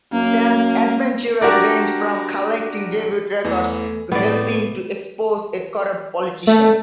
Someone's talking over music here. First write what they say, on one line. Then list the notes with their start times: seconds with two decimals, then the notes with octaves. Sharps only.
Sam's adventures range from collecting debut records to helping to expose a corrupt politician.
0.13 F#2 A#3
1.41 D4 F#4 G4 A#4 D5
3.44 E2 E3 A3
4.12 C2 A2 B3 D5
6.47 A3